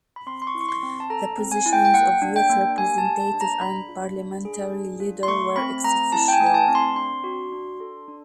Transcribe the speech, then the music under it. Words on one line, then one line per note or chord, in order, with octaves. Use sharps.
The positions of Youth Representative and Parliamentary Leader were "ex officio".
B5
C4 C6
C6
C#6
E4
C#6
C6
C4
A5
A4 A#5
C4
G#5
E4
G5
G5
A#3 F#5
D4
G5
A#3
G4 G#5
A5
A#3
A5
D4
A#5
D4 B5
F4
D4
G#4
D4
F4
C6
A3 C#6
C4 B5
A3 A#5
E4 A5
G5
G#5
A3
G#5
A5
C4
C6
D4 C6
F#4
D4
A4
D4